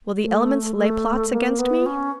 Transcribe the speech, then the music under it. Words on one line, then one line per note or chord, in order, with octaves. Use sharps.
Will the elements lay plots against me?
A3
A3
A#3
B3
C#4